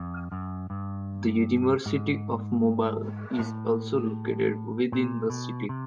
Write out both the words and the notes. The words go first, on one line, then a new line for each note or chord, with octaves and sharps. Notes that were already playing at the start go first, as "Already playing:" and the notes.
The University of Mobile is also located within the city.
Already playing: F2
F#2
G2
G#2
A2
A#2
B2
C3